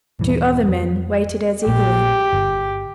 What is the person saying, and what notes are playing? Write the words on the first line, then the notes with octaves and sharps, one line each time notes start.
Two other men waited as eagerly.
D#1 G2 E3
F2
A#1 A#2 A#3 G4
G1